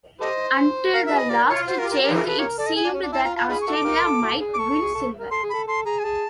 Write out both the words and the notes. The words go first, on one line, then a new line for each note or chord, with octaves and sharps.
Until the last change, it seemed that Australia might win silver.
G4 A4 C5 D#5
A#4 F5
E5
F#4 G#4 B4
D#5
F4 G4 A#4 D5
C#5
F#4 C5
A#4
G4
A#4
F#4
G4 A#4
G#4 A#4
A4 B4
F4 G4 A#4 C#5
A4 D5
D#5
G#4 G#5
D4
C#4
D4
E4 A5
F4 A#5
F4 A5
D#4 F4 G#4 B5
C#6
E4 F#4 A4
D6
F4 G4 A#4
A4
E4 F#4 A4
G#4
D6
A4 C#6
A4
G#4
A4
A#4
A4 C6
G#4
A4 B5
A4 C6
G#4 A#5
G#5
G#4 A5